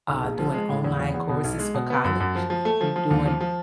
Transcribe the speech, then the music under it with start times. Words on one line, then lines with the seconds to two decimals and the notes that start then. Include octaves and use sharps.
uh, doing online courses for college. You doing,
0.09 B1
0.24 A#1
0.39 F3
0.54 G#3
0.69 A2
0.84 E2
0.99 E2
1.14 E2
1.29 B2
1.44 B1
1.59 G#3
1.75 B2
1.90 B3
2.04 F#2
2.20 F#2
2.35 F3
2.50 F3
2.65 A3
2.81 F3
2.96 F3
3.11 D#2
3.25 F3
3.41 F3